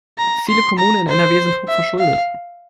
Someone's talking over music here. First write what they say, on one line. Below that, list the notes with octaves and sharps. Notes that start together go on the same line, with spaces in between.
Viele Kommunen in NRW sind hochverschuldet.
A#5
C6
A#5
C5
E5
F5